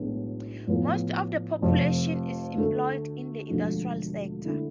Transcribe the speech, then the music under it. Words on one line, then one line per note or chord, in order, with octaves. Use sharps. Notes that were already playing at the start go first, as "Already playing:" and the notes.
Most of the population is employed in the industrial sector.
Already playing: B1 A2 G#3 B3 D4
A2 F3 B3 F4
F1 F2 C3
D2 D3 A3
E1 D2 D3 F3 A3
D3 A3 E4